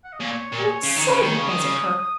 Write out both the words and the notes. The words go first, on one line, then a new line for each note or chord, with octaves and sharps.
How absurd it was of her!
F#5
D#5
A#2 C#5
A#2
C#3
D#3
C#3
D#3
C#3
D#3 D#6
C#3